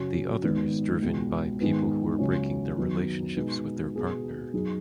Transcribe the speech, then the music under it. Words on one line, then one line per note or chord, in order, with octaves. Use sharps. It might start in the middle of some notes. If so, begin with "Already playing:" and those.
The others driven by people who are breaking their relationships with their partner.
Already playing: F#2 C#3 F#3 C#4 F#4
G#1 G#2 D#3 B3
C#2 B2 G#3
G#2 D#3 G#3 B3
C#2 C#3 F#3 C#4
F#2 D#3 F#3 B3 D#4
B2 G#3 B3 D#4
B2 B3 G#4
F#2 F#3 D#4 G#4